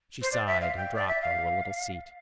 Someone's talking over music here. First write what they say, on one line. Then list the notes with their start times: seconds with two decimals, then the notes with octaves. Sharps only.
She sighed and dropped onto a little seat.
0.22 C5
0.32 D5
0.47 E5
0.61 F5
0.77 G5
0.94 D5
1.08 E5
1.21 F5